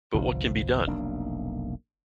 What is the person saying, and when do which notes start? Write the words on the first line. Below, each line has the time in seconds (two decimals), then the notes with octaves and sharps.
But what can be done?
0.14 G1 C2 F3
0.87 F1 B1 A#3 D4